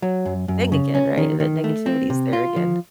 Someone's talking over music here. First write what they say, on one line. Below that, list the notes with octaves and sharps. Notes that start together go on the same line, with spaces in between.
thing again, right? That negativity is there again.
F#3
F#2
F#2
C#3
C#4
D#3
D#3
A3
C4
C3
F4
F3